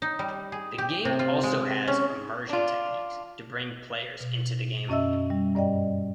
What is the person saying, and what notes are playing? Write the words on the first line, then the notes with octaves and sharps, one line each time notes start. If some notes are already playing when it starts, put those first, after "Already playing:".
The game also has immersion techniques to bring players "into the game".
D#4
G3
G#4
G4
C3
F4
G#3
C#4
D4 F4
B2
F#2 C#4 D#5 E5 E6
G3
G2 D5 D#5 G5